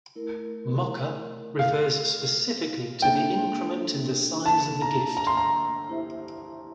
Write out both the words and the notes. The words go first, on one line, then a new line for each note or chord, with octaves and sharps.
Moka refers specifically to the increment in the size of the gift.
A3 E4 A#4
F5
A#3 D4 A4 C5 E5 G5
A5
A#5
A#5
C6
A#5
E4 G4 C5 E5